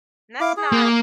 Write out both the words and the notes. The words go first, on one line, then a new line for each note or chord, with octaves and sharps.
And that's not
E4 F5 D6
G#4
A#3